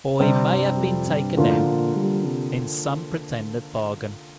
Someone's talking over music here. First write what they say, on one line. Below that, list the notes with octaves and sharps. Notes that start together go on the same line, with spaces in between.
Or he may have been taken in, in some pretended bargain.
C3 G3 C4
G2
F2
G2
A2 D3 F3 A#3 F4
A#2
G3
C3